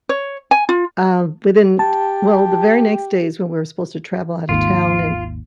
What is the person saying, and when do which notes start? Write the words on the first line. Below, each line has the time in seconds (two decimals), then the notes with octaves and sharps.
uh, within t well, the very next day is when we were supposed to travel out of town, and
0.09 C#5
0.51 G#5
0.69 F4
1.79 G4 A5
4.49 G#1 D#2 F4